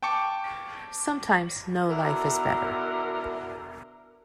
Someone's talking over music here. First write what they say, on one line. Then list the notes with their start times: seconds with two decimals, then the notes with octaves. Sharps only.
Sometimes, no life is better.
0.02 G5 A5 C#6 D6 C#7
1.89 B2 D3 E4 A#4